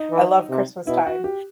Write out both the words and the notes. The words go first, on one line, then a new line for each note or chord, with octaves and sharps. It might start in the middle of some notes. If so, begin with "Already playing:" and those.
I love Christmas time.
Already playing: D#4
E3
C3
B2 E4
F#4
G4